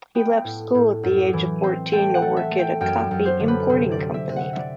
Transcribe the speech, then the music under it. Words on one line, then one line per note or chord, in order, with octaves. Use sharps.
He left school at the age of fourteen to work in a coffee-importing company.
B3 G5
A2
A2
F#2
E3
C4
A3 G5
F#5
A3
E5
A3
G5
F#2 G5
F#2
C5
D3
B4
C3 C5
D5
C3
E5
C3
F#5
E5
D5